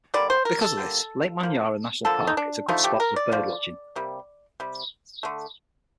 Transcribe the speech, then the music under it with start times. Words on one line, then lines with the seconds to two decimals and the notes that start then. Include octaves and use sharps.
Because of this Lake Manyara National Park is a good spot for bird watching.
0.14 D3 G3 A#3 D5
0.30 C5
0.45 A#4
0.61 A4
0.78 D3 G3 A#3
1.41 D3 F3 A#3
2.05 D3 F3 A#3 A4
2.27 D#4
2.37 D4
2.68 D3 F3 A3 D#4
2.84 G4
3.00 A#4
3.16 D5
3.32 D3 F3 A3
3.96 C3 G3 A#3
4.60 C3 G3
5.23 D3 A3